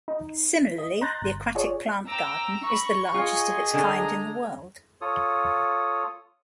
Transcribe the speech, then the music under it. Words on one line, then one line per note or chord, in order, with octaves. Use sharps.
Similarly, the Aquatic Plant Garden is the largest of its kind in the world.
D#4
D#5
A#5 C6 F#6 G6 A6 A#6
G1
F4 G#4 C#5 D5
G5 A#5 D6 E6
A#5 B5 C#6
F4 G#4 D#5 G#5
D3 G#3 A#5
F4 A4 C#5 D#6